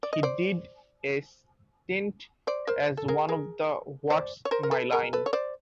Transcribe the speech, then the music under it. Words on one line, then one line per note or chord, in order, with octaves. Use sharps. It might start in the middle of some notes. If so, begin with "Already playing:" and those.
He did a stint as one of the What's My Line?
D5
D#5
C5 D5
C5 D5
A#4 C5
A4
G#4 A#4
G#4 A#4
C5 D5
C#5
A#4 C5
A#4
A4 B4
G#4 A#4
A4 B4
C#5
C5 D5